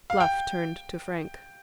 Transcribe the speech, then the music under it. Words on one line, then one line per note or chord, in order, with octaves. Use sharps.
Bluff turned to Frank.
F5
G5